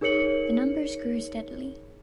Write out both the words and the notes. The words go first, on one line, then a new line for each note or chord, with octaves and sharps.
The numbers grew steadily.
D#4 G#4 A#4 C#5 C#7 F#7